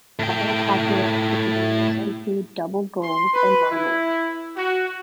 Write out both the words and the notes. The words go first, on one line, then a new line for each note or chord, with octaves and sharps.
Other popular cultivars include 'Double Gold' and 'Marmalade'.
A2 G5
C6
B4
E4
F#4